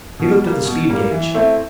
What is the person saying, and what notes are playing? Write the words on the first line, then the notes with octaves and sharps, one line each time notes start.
He looked at the speed gage.
B2
G3 A#3
B2
G3 A#3
E3
A3 C4 E4